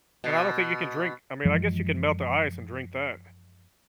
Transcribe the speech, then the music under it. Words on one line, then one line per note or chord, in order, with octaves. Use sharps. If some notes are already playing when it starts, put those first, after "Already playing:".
And I don't think you can drink I mean, I guess you can melt the ice and drink that.
B2
F#2 E3 F3 G#3